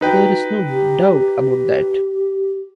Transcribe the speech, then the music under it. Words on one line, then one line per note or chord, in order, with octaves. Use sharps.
There's no doubt about that.
D#4 F#4 B4 G5
G4